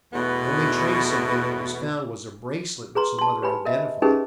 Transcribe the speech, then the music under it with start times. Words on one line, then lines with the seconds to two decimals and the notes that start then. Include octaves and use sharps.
The only trace of them that was found was a bracelet which the mother identified.
0.12 E2 B2 A3 B3
2.95 G#4 B4 A#5 C6
3.18 A5 C6
3.42 G4 B4 G#5 B5
3.65 A#4 D#5 E5
4.02 C#4 D#4 G4 G#4 A#4 B4